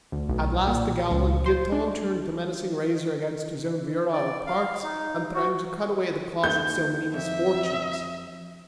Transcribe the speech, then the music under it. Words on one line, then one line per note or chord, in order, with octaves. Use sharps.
At last the gallant Giton turned the menacing razor against his own virile parts, and threatened to cut away the cause of so many misfortunes.
D2
B1
A#2
C#2
C5
D4
D5
F5
D#4
F#4
D#2 A4 G6
F2 E5